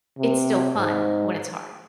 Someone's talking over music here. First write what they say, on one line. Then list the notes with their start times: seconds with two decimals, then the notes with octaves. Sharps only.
it's still fun when it's hard.
0.18 C3
0.75 G#2